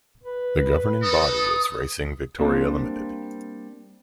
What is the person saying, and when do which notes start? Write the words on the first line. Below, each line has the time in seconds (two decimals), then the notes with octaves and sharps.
The governing body is Racing Victoria Limited.
0.23 B4
1.03 D#4 A4 D#6
2.39 G3 A#3 C4 D4